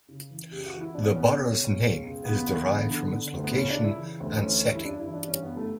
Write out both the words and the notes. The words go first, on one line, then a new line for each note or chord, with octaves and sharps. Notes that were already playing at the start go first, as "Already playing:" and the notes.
The borough's name is derived from its location and setting.
C#3
E3
C#2 G4
F#4
E3
E4
B2 D4
C#4
C#2 B3
C#4
B2
B2
C#2
C#2
C#2 B3
E3
D3
D3
D3
D2
B3
C#3 C#4
D4
C#3
E4
E3
D2
E3 C#4
G2
E4
G2 D4
E4
E3
D4
G2 C#4
B3
G2
A3